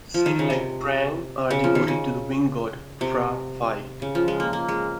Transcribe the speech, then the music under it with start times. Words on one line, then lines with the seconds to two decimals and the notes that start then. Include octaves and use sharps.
The satellite "prang" are devoted to the wind god, Phra Phai.
0.14 F3
0.26 D#3
0.39 C#3
0.50 C3
1.51 C#3
1.64 F3
1.75 D#3
1.88 C#3
3.01 C3
4.02 C#3
4.15 F3
4.28 G#3
4.40 A#3
4.53 A#3
4.69 G#3